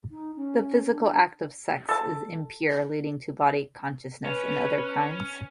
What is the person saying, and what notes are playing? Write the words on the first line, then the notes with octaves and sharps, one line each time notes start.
The physical act of sex is "impure", leading to body-consciousness and other crimes.
D#4
C#4
D4
A4 A5
C#4 B4 C#5